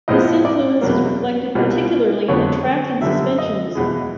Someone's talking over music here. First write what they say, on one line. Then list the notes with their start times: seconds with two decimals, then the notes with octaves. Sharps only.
This influence is reflected particularly in the track and suspension design.
0.08 A#1 A2 F3 G#3 B3 D#5
0.45 D5
0.81 E2 B2 F#3 A#3
1.55 C2 B2 G3 A#3
2.28 F2 D3 F#3 B3 C#5
3.01 F#2 D3 G3 B3 E5
3.39 D#5
3.75 E2 B2 G#3